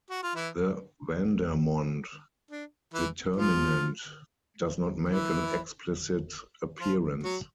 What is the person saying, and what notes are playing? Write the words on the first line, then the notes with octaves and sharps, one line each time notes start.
The Vandermonde determinant does not make an explicit appearance.
F#4
F4
E3 E4
D4
E3 E4
F3 F4
E3 E4
F3 F4
F#3 F#4